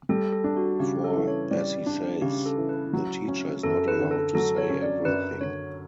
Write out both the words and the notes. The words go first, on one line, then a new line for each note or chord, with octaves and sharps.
For, as he says, the teacher is not allowed to say everything.
G3 A4
A4
D4
F#4
C#3 G4
A4
E3
C#5
G3 D5
D4
C#3 G4
A4
E3
B4
F#3
C#4
F#2 A4
B4
D3
A4
F#3 A4
C#5
C#4
D5
F#2 B4
D3 C#5